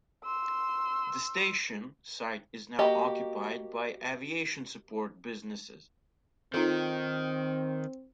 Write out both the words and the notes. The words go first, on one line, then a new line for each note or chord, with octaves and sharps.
The station site is now occupied by aviation support businesses.
C6 E6
A#3 F#4 G4 D#5
D#3 C4 D#4 F4 A4